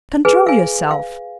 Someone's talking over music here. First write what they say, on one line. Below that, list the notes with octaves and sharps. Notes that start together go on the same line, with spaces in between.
Control yourself!
G#4 B4 G#5
F5 G#5
F5